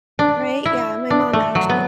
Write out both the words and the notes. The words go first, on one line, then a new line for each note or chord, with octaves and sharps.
Right? Yeah. My mom actual
D4
E4
D4
A3
F#3
B3